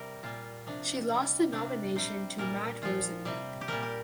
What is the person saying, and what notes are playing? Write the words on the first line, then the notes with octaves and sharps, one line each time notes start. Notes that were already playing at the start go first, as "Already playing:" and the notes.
She lost the nomination to Matt Rosendale.
Already playing: C3 G3 A#4
A#2 G3 F4
C3 F3 D4
C3 G3
C3 G3 D4
C3 G3 C5
A#2 G3 A#4
A#2 F3 F4
C3 G3
G4
A#2 G3 A#4
G4